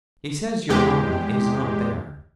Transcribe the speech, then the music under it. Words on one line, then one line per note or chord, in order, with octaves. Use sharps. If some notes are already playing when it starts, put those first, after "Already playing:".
He says your mamma is not there.'
E2 G#3 G4